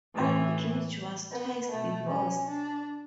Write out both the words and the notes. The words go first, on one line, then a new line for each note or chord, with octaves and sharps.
Aldridge was twice divorced.
A2 E3
B3
B2 A3
C#4
D4